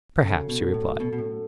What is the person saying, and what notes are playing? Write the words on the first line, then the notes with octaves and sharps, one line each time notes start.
Perhaps, he replied.
C#3 F#3 C#4 F#4 A4
B2
A2
B2
B2
A2